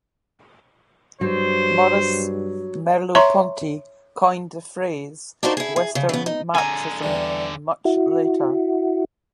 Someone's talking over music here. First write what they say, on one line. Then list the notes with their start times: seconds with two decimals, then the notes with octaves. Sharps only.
Maurice Merleau-Ponty coined the phrase "Western Marxism" much later.
1.21 G2 F#3 C5
3.15 C#5 E5 A#5 C6 C#6
5.43 D4 D#4 F4 F#4 A#4 C5
5.57 E4 G#4
5.76 G#4
5.95 C#3
6.09 C#3 B3
6.26 D#4
6.55 D3 G#4 G#5 A#5
7.03 E2 G3 D4
7.85 E4 F#4